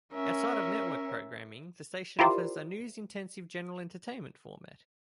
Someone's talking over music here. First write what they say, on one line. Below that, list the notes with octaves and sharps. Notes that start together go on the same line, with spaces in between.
Outside of network programming, the station offers a news-intensive general entertainment format.
C#4 A#4 E5
E4 F4 G4 A#4 C5 D5